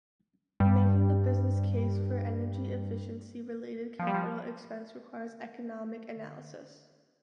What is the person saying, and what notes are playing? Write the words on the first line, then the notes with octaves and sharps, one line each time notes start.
Making the business case for energy efficiency-related capital expense requires economic analysis.
G2 G3
F3
G3
F3